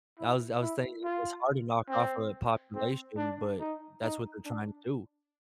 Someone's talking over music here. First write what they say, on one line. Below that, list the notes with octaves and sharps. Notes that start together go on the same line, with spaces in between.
I was I was saying, it's hard to knock off a population, but that's what they're trying to do.
E4
E4
F4
C4
C4
D4
D#4
D#4
D4